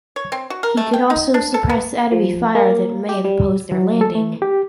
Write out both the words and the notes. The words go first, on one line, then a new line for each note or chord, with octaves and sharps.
He could also suppress enemy fire that may have opposed their landing.
C#5
C4
F#4
A#4
A3
G5
D#4
D4
A4
B3
F3
A#3
G4
G3
F#3
A4
A3
G4